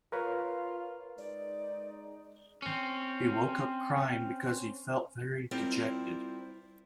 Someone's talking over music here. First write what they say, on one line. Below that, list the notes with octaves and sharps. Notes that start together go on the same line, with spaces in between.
He woke up crying because he felt very dejected.
F4 A#4 B4 C#5 F5
G#3 D#4 D5
C4 C#4
G3 C4 E4 F4 A#4 C5